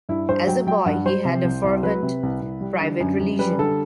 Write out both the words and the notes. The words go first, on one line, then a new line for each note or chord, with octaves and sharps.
As a boy he had a fervent private religion.
G2 E4
G2 C5
F#3 G5
F#3 G5
G2 F#5
F#3 C5
C3
C2
C2
F#3 B4
C3
C2
C2
G3
D3
F#2
F#2
G3 B4
D3 A4